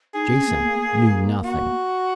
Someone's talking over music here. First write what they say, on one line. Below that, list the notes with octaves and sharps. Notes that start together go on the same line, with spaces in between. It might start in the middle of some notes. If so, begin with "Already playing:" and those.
Jason knew nothing.
D#4 G#4
C#4
A#3
A#3
A#3
F#4